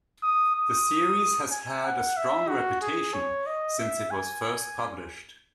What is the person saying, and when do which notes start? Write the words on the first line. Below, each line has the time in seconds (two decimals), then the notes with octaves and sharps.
The series has had a strong reputation since it was first published.
0.23 D#6
0.55 D#6
1.52 G#5
1.85 F#5
2.17 E5
2.49 F#4
2.82 G#4
3.14 C#5
3.46 D#5
3.79 E5
4.11 G#5